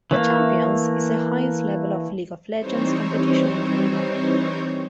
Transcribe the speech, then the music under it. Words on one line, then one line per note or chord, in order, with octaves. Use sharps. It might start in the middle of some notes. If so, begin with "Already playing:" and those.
The Champions is the highest level of "League of Legends" competition in Korea.
E3 A3 A#3
E3 G3 C4 D#4 C5 C#5